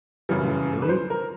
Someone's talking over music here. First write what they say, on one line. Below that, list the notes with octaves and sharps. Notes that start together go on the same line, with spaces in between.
Oh, really?
F#2 C#3 E3 G3
B4
C5
A#4